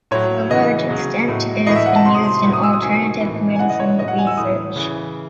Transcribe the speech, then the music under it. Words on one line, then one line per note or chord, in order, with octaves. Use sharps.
To a large extent, It has been used in alternative medicine research.
A2 F#3 C#5
C#3 E3 D#5
C#3 F#3
A2 F#3
A2 E3 D#5
E5
F#5
A5
C3 F#3 C6
D#6
C6
C6
A2 F#3
D#6
E6
D#6
C3 D#3 F#3 G#5
E3
A2
G#5
C#3 E3 F#5
D#5
C#5
A2 F#3 D#5
F#5
G#5
E6
A2 E3 D#6
C#3 E3